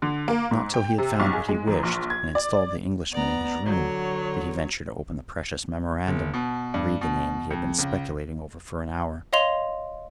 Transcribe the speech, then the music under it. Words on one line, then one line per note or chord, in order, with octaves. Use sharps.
Not till he had found what he wished, and installed the Englishman in his room, did he venture to open the precious memorandum and read the name he had been speculating over for an hour.
D3
A#3
G#2
G5
C3
B1
G#4
G#3
E2
A#1
G#6
D5
B3 D5 A#5
D3 F#3 C#5
G1
B2
G2
B2
F2
C#2
C#5 D#5 F5 C6 F7 G7